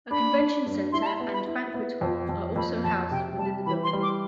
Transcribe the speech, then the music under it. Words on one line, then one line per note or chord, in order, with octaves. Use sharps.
A convention center and banquet hall are also housed within the building.
D4 B5
D4
G2
E4 C6
A5
B5
B3
B5
E4
B3
F2
F2
F2 B5
F2 A5
C3 G5
G3 A5
E3 B5
C6
G3
D6